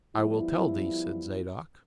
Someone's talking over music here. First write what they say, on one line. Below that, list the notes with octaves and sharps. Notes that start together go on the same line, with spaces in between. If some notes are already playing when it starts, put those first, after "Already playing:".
"I will tell thee," said Zadok.
F3 G3 B3 E4